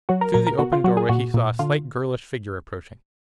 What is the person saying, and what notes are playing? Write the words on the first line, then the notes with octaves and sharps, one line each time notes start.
Through the open doorway he saw a slight girlish figure approaching.
F#3 F#4
A#4
A#2 A#4
A#4
B2 F#4
F4
F#3 F#4
G#4
A#2 F#4
A#2
D3 F4